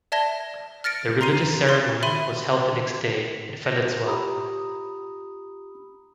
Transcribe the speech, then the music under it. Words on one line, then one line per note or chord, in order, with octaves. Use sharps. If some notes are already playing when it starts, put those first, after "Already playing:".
The religious ceremony was held the next day at Felizenweil.
D5 E5 A5 G#6 A#6 G7
F6 A6 A#6 C#7 D7
A#5 C6 C7 D#7
C6
E5 B5 C6 D#7
A#6
F4 G4 A#5 B5 D#6 E6